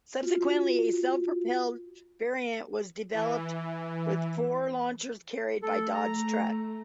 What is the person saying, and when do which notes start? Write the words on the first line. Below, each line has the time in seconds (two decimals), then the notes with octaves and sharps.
Subsequently a self-propelled variant was developed, with four launchers carried by Dodge truck.
0.23 F4 F#4
3.13 E3
5.62 A3 A4
5.94 A#5